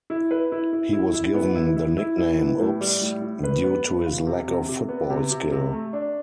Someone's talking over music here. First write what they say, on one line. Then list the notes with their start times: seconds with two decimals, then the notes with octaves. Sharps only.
He was given the nickname "Oops" due to his lack of football skill.
0.10 E4
0.31 B4
0.52 E4
0.73 E4
0.93 E4
1.14 E4
1.34 B3
1.55 E4
1.76 E4
1.97 E4
2.18 E4
2.39 B3
2.60 A2
2.81 G3
3.01 A2
3.22 A2
3.44 B4
3.64 B3
3.85 B4
4.05 F4
4.26 C3
4.47 C3
4.68 C3
4.89 B3
5.10 C3
5.31 C3
5.52 C3
5.73 A3
5.93 D4